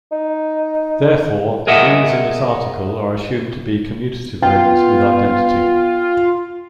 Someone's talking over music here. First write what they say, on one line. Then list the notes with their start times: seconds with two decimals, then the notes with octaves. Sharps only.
Therefore, the rings in this article are assumed to be commutative rings with identity.
0.12 D#4
1.67 G#4 A#4 D#5 E5 F#5
4.42 B3 F4 G5